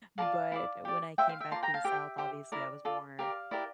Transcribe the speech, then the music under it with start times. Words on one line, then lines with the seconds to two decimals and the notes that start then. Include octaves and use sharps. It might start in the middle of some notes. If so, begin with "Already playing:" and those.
but when I came back to the South, obviously, I was more
0.18 F4 A#4 D5 F5 A5
0.52 E4 G4 D5
0.85 G4 D5
1.18 F4 C5 E5 G5
1.29 F5
1.40 E5 G5
1.51 F4 A#4 D5 A5 C6
1.63 G5 A#5
1.74 F5 A5
1.84 G4 C5 E5 G5
2.18 G4 C5
2.52 E4 A#4 D5
2.85 F4 A4 D5
3.19 G4 A#4 D5 F5
3.51 E4 G4 A#4 D5